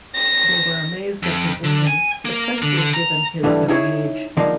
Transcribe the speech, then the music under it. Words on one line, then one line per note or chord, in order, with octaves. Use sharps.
They were amazed at his learning, especially given his young age.
A#6
F2
D3
G#5
A#3
D3
D3
A#5
G#2 D3 E3 G3 A3
D#4 E4 G#4 C#5
D3 F3 G#3 A#3 D#4